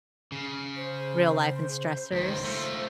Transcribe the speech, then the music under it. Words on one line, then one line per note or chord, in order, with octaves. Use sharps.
real life and stressors.
C#3
C5
C#2 D#3 C5
A3 F4